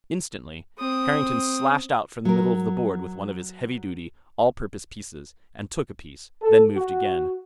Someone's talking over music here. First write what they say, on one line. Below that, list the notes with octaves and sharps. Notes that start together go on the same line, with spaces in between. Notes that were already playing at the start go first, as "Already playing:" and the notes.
Instantly, Harrington slashed out from the middle of the board with one of his heavy-duty, all-purpose pieces and took a piece, then moved again.
C4 D#6
F#3 A#4
A4
F#4